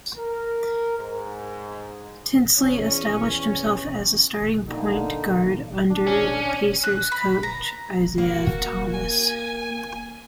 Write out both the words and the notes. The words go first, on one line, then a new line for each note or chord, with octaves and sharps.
Tinsley established himself as the starting point guard under Pacers coach Isiah Thomas.
A#4
G#2
E2 C#4
D3 A#3 D#4
D4
C#4
F#6
B5
A#5
A#3 F#4
G#5